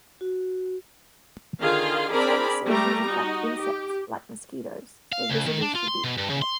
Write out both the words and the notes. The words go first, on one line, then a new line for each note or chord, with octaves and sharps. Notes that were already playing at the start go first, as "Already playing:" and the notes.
Certain seasons attract insects, like mosquitos, so visitors should be prepared.
F#4
D3 D#3 F4 G#4 F5 C6
C4 D4 G#4 A#4 D5 B5
G3 A3 G4 A#5
D#4 F#4 D#5
G4
F5
C#2
D#3
D4
F4
C6
B2
G2
C#3
C6